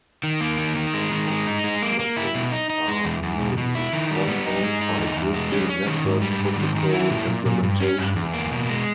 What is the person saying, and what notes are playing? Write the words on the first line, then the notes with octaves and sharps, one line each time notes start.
Some of these plugins are merely front ends for existing network protocol implementations.
D#3
A#3
D#3
D#3
G#3
D#3
G#3
D#4
G#3
A#3
A#3
E4
B2
D#4
D#4
G#3
E2
E2
B2
B2
E4
D#3
G3
B3
D#4
G#3
D#4
E2
E2
G#3
C#4
C#4
D#3
G#2
G3
G#2
D#3
D#3
E4
A#2
A#2
A#2
G2
C#4
G2
E2
A#3
B2
G#3